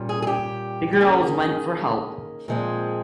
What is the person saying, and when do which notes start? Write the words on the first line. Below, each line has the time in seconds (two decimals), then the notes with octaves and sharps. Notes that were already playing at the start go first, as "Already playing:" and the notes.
The girls went for help.
Already playing: A#2 G3 C#4
0.09 G#4
0.22 G#4
0.27 G4
0.93 G4
1.00 D#3 A#3 C#4 G#4
2.48 A#2 F3 G#3 C4